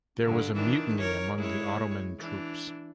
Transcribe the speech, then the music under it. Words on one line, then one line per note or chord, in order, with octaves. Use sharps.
There was a mutiny among the Ottoman troops.
G2 D3
D#3 E3 D4
A#4 C#5
G#3 E4 C#5
E3 D4